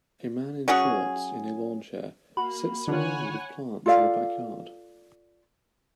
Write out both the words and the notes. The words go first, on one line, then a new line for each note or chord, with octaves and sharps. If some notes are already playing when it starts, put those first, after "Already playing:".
A man in shorts in a lawn chair sits surrounded with plants in a backyard.
F#3 C#4 F#4 G#4
A#3 F#4 B5
D3 D#3 F4 C#5 F#5 G#5
F4 A4 D5 F5